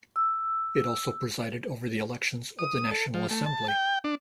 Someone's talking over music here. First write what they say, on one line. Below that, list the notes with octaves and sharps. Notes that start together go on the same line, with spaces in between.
It also presided over the elections of the National Assembly.
E6
D#6
A4
F3
A3
A5
G5
D4